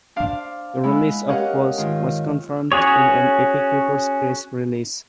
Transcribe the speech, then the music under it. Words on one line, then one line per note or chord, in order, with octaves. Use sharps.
The release of "Pose" was confirmed in an Epic Records press release.
D4 C5 D5 F5
G#3 B3 E4
C#4 G4 A#4 D#5 F5 F#5
G#2 D#3 C#4 F4
C#4 F#4 G#4 C#5